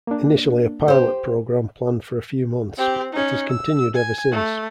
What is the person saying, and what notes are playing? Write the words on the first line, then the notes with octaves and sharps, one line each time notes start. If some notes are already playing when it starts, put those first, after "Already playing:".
Initially a pilot program planned for a few months, it has continued ever since.
A#3 D4
G4 C5
C4 G4
C#4 D#4
E6
G#5
A3